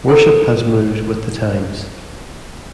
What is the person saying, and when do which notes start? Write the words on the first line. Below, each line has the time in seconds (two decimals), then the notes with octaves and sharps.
Worship has moved with the times.
0.08 E4 A4 A#4 C5 F#5 G5